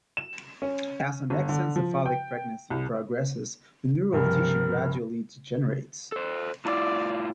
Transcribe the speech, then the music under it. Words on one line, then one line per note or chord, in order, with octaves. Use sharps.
As an exencephalic pregnancy progresses, the neural tissue gradually degenerates.
E7
C#4
G1
D3
F3
G5
C2
C#2 G2 C3 F3 G#3 A#4
A4 C5
A2 E4 F4 D5